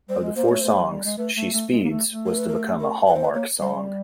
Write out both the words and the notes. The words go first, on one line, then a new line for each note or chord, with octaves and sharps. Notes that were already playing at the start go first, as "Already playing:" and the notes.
Of the four songs, "She Speeds", was to become a hallmark song.
G3 C5
G#3
A#3 C5
A3 C#5
A3 C5
F#3
G3
G#3
A3 B4
A3
A3
G#3
A#3
A3
A3
A#4
B4
A#4
A#4
B4
C5
B4
A#3 C#5
G3 C5
G3